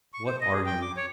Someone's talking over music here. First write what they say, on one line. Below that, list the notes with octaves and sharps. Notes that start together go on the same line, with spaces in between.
What are you?
C#6
C5
D#5
G#4
G5
D6
C#5